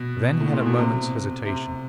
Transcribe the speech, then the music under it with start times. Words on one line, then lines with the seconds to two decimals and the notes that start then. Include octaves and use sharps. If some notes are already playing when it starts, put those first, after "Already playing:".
Then he had a moment's hesitation.
Already playing: B2
0.40 A2
0.52 A#2
0.66 B2
0.78 C3
1.45 C3